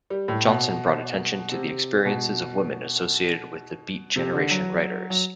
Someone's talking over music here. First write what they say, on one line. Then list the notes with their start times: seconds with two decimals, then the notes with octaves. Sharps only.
Johnson brought attention to the experiences of women associated with the Beat Generation writers.
0.10 G3
0.28 A2
0.46 B2
1.52 C3
2.05 B2
4.16 C3
4.33 D3
4.51 F#3
5.10 F#3